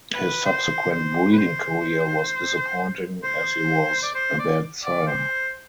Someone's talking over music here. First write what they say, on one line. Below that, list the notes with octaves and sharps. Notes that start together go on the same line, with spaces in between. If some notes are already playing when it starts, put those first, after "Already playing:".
His subsequent breeding career was disappointing as he was "a bad sire".
B4
C5
C5
B4
C5
C5
D5
C5
D5
D5
C5